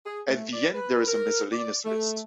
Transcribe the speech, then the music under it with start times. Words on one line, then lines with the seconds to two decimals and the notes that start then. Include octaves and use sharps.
At the end there is a miscellaneous list.
0.06 G#4
0.28 A3
0.53 D5
0.74 B4
1.08 A#4
1.52 D5
1.85 A3